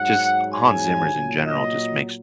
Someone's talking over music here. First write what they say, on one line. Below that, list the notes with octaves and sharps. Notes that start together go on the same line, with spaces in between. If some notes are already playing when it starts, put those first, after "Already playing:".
just Hans Zimmer's in general just makes
Already playing: G#2 F#3 F#5
G#5
A#2 F#3
D#5